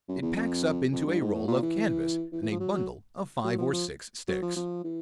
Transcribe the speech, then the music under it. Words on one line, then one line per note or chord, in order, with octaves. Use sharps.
It packs up into a roll of canvas and a bundle of five or six sticks.
F#2
E2
F2
F2
G2
G#2
A2
A#2
E3
E3
E3
F3
F#3
F#3
F#3
F3
F3
F#3
F3
F3
E3